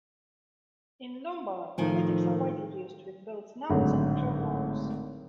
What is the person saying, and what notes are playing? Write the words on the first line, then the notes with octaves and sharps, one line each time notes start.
In Lombard, clitics are widely used with both nouns and pronouns.
A2 D#3 F3 G#5
G#1 A2 D3 F#3 G#3